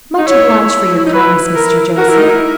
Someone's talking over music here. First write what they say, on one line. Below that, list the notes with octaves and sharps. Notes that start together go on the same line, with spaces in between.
Much obliged for your kindness, Mr. Joseph.
D#4
E4 C#5
D#4
E4 B4
A#4
F#4 A#4
E4
D#4
E4